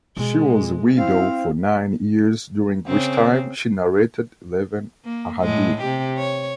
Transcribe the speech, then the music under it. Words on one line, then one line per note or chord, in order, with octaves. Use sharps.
She was a widow for nine years, during which time she narrated eleven "ahadith".
B2 G#3
C4 E4 F5
C#3 C4
A#3
A2 G#3
C3 G4
C#5